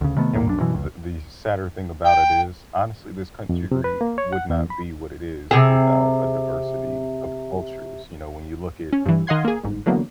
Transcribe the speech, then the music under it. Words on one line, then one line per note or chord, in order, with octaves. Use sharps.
And the the sadder thing about it is, honestly, this country gri would not be what it is without a diversity of cultures, you know, when you look it,
D2 C#3
C3 D#3 A3 B3
A#1 D#2 A#2 A#3
B1 D4
F#2 B2 E3
C#2
G5
F2
C3
B4
A#3
C#5
F#5
E2
B5
C3 G#4
C#4
G2 E3
D#3 D#5 F5 F#5 C6 G#6
A#3 G#4
G1 G#2
D3 E3 F#3 A#3 B3